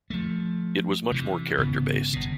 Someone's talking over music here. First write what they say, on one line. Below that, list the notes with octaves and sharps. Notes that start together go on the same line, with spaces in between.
It was much more character-based.
F3 A3
C3 E3
G#1 C#3 B3
G1 B2